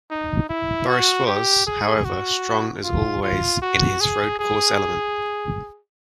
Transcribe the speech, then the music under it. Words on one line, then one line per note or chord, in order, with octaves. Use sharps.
Boris was, however, strong as always in his road course element.
D#4
E4
F#4
G4
G#4
F#4
F4
F4
F#4
G#4
G#4